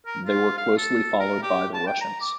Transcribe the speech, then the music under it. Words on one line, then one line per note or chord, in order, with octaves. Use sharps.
They were closely followed by the Russians.
A#4
F4
F5
A4
A#4
G4
A5
G5
A#5
D6